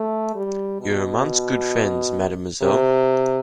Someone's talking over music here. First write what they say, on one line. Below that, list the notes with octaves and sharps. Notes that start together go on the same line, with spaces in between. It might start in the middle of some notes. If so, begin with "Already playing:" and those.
You are amongst good friends, mademoiselle.
Already playing: A3
G3
B2
C3